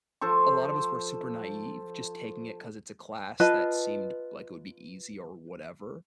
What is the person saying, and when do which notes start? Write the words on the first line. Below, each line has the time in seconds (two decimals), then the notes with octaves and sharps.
a lot of us were super naive, just taking it 'cause it's a class that seemed like it would be easy or whatever
0.21 F3 A4 C5 C#6
3.40 F4 B4 D#5 A5